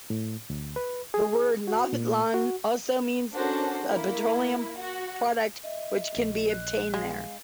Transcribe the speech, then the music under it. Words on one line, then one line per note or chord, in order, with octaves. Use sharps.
The word "naftalan" also means a petroleum product which can be obtained there.
A2
D2
B4
G#4
F#4
A#2
F#4
C#4 D4 F#4 A4 A#4 C5
A#3 E4
F#4
D#5 E5
A#1
F#6
G#3 F5